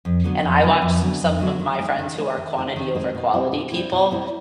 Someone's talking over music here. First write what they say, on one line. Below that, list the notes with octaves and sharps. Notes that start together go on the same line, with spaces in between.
and I watched some of my friends who are quantity over quality people,
F2
D3 F#3 B3
F2
D3 F#3 B3
F2
D3 F#3 B3
F2
D3 F#3 B3
D#3
G#3 C4 D#4
D#3
G#3 C4 D#4
D#3
G#3 C4 D#4
D#3
G#3 C4 D#4
B2
G3 C4 E4
B2
G3 C4 E4
B2
G3 C4 E4